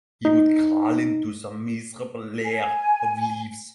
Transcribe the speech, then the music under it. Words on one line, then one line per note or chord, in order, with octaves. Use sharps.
He would crawl into some miserable lair of leaves.
D#4
G#5